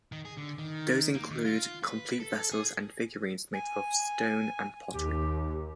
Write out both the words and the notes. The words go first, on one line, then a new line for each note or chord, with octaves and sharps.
Those include complete vessels and figurines made of stone and pottery.
D#3
G#4
D3
D#3
A#3
D#3
F4
B4
A4
G#4
G#5
D#2 G4